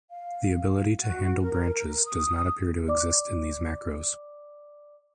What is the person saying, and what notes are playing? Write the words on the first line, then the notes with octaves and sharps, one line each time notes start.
The ability to handle branches does not appear to exist in these macros.
F5
F#4
A#4
A#4
D#6
D5 D6